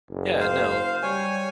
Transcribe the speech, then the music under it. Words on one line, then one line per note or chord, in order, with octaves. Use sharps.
Yeah. No.
F#1
C5 F5
G3 C#5 G#5